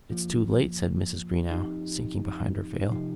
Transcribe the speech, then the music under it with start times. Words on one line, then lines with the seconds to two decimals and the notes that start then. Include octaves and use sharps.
"It's too late," said Mrs. Greenow, sinking behind her veil.
0.10 F3 A#3 F4
1.49 F3 C4 D#4 G4
2.90 C3 F3 D#4 G4